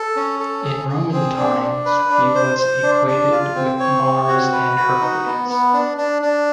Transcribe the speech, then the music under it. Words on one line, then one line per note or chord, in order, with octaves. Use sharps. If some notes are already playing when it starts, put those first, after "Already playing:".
In Roman times he was equated with Mars and Hercules.
Already playing: A4
C#4
A4
G#4
G#4
C4
D4
D4
B4
D4
C5
C5
D4
D4
F4
C4
C#5
C4
F#4
B4
F#4
D#4
B3
B3
D4
D4
D4